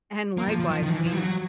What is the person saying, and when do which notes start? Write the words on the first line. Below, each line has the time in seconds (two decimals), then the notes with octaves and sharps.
and likewise, I mean
0.38 A#3
0.48 F3
0.60 F3
0.71 F3
0.82 D#3
0.89 F3
0.94 E3
1.06 F3
1.13 G3
1.17 F#3